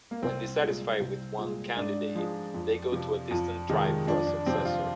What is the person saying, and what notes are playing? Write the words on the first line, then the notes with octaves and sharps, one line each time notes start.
When dissatisfied with one candidate, they go to a distant tribe for a successor.
A#3
C2 C4
A#2 G#3
C2
A#2 G#3
G#2 D4
F3 G#3
F2
C3 F3
F2
C3 D#3 G#3
F2 D4
D4
C3 F3 C4
F4